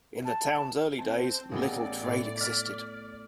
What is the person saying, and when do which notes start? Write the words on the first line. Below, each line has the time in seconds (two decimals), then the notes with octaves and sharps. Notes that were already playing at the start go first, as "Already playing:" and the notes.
In the town's early days, little trade existed.
0.25 A5
0.99 C4 C5 A5
1.52 A1 A#3 B3 G#4 D5
2.03 A2 C#5
2.38 F6 A6 B6